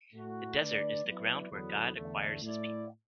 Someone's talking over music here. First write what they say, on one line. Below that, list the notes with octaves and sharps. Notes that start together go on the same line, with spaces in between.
The desert is the ground where God acquires his people.
A2 A3 F#4
D3 A3 D4 B4 D5
F#3 B3 E4 B4 D5
E2 D3 F#3 B3
E2 D3 A3
A2 A3 E4 D5